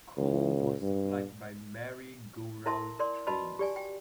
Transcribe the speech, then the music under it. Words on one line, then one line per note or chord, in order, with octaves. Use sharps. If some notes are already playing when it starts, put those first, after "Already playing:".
Coal was supplied by Merry-go-round trains.
C#2
G2
E4 A#4 E5 A5 C6
A#4 D5 C6
F#4 B4 D#5 A5 B5 C6
G4 D5 G#5
G5